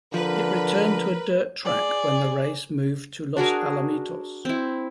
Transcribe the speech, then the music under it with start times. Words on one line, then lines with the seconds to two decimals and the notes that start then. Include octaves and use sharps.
It returned to a dirt track when the race moved to Los Alamitos.
0.14 D3 F3 A#4 B4
1.65 G#4 D5
3.36 D4 F#4 G#4 A#4
4.45 C4 E4